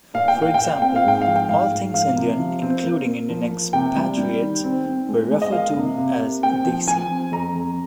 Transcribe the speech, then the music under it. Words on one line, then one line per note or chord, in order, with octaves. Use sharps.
For example, all things Indian including Indian expatriates were referred to as "desi".
A#2 F5
G5
A#2 F5
A#2 G5
F5
C4 G5
F5
G#2 G5
F5
F3
G5
G#2 F5
G#2
F3 F5
C3
F3
C4
A#3
A#3
F3
A#3
C3 G5
G3
G3
D#3
C4
C4
G#3
G#3
D#5
A#3 F5
C3
C3
A#3
C4 G5
F3
F3 G#5
C4
F2 A#5
F2